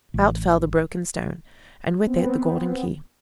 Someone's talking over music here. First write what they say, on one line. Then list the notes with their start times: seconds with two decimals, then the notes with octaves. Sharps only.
Out fell the broken stone, and with it the golden key.
0.14 A1
2.07 B3 C4